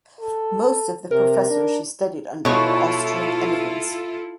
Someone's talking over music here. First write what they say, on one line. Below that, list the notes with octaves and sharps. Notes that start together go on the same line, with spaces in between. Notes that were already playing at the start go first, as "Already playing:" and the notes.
Most of the professors she studied under were Austrian emigrants.
A4
C3 A#4
D4
B2 E4 F4 A4 C#5